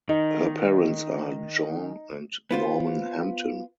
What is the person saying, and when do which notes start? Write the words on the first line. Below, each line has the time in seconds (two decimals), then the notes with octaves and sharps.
Her parents are Jean and Norman Hampton.
0.09 D#3 D#4
2.51 B3 F4 C5